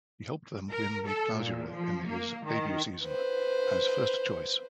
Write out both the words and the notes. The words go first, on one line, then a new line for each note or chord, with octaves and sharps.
He helped them win the Clausura in his debut season, as first-choice.
A#4
A4
A#2
F3
A#3
D#3
B4 C5